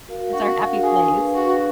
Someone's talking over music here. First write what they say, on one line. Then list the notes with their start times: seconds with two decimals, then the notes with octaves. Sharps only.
that's our happy place.
0.08 F#4 A#4 F5
0.33 D4 F#4
0.59 F#4 A#4 F5
0.84 D4 G#4
1.09 G#4 B4 F5
1.35 D4 F#4